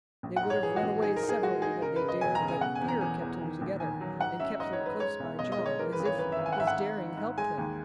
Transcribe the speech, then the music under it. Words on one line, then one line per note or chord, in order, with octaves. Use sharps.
They would have run away severally had they dared; but fear kept them together, and kept them close by John, as if his daring helped them.
A#1
F#5
G#2
C#5
E3 G#4
F#4
A#1
D#4 G#4
A#4
D#4
G#4
G#3 F#4
D#4 G#4
C#3 A#4
B4
C#3
D#5
E1 G#5
A#5
C#3
G#5
B2 F#5
G#5
E2
A#5
E2 G#5
E2
D#3
A#1
D#3 G#5
F#3
G#2 F#5
C#4 E5
G#2 D#5
C#5
G#2
B4
G#3 C#5
B1
B2 D#5
D#5
G#3
C#5
E3 A#4
B4
G#1
C#5
F#2 B4
E5
G#1
G#5
F#5
G#2 E5
F#5
G#2
D#4
G#2
G#3 G#5
D#2